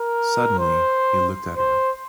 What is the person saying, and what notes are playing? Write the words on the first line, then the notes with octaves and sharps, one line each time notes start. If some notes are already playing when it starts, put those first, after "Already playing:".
Suddenly he looked at her.
Already playing: A#4
C5
C5